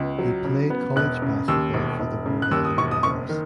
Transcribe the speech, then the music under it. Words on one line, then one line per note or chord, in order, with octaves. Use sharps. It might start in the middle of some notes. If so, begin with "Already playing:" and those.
He played college basketball for the Rhode Island Rams.
Already playing: C#2 B3
F#3
C#3
B3
E1 F#6
C#3
D#2 E6
E1
E1
C#3
F#6
D#2 E6
D#6
E1 C#6
D#6
F#1 C#6
D#3